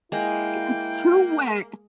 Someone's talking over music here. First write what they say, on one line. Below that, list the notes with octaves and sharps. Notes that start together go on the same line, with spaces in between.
if it's too wet,
G#3 A#3 E4 G5